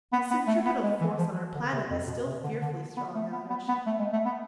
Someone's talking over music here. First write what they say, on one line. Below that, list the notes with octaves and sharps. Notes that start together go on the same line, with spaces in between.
The centripetal force on our planet is still fearfully strong, Alyosha.
B3
B3
A3
B3
G#3
E3
F3
D3
C3
F2
B2
C3
D3
D3
B3
A3
B3
B3
B3
A3
G#3
A3
B3